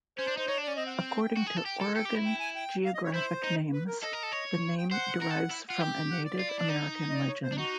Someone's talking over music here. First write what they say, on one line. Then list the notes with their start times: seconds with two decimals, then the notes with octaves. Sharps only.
According to "Oregon Geographic Names", the name derives from a Native American legend.
0.18 C#4 C5
0.28 D4
0.37 D#4 C5
0.48 D#4 C#5
0.58 D4
0.63 C#4 D5
0.77 C4 D#5
0.87 F#5
0.97 G5
1.37 F#4
1.47 G#4
1.57 A4
1.66 G4 G5
1.81 A4
1.96 A4 G5
2.05 G4
2.15 E4
2.25 G5
2.40 G#5
2.55 G5
2.85 F5
2.94 D#5
3.04 C#5
3.14 E4 C5
3.44 D#4
3.73 B4
3.87 A#4
4.03 A4 D#5
4.13 A#4
4.23 A4
4.33 C#5
4.77 G5
4.91 C5 F#5
5.22 A#4
5.30 A4
5.51 E4
5.69 F4 F#5
5.80 G4 G5
6.10 F#5
6.25 D5
6.39 F4
6.49 E4
6.60 D4
6.69 D#4
7.09 D#5
7.14 D5
7.28 C#5
7.43 C5
7.52 D4
7.58 D#4 F#4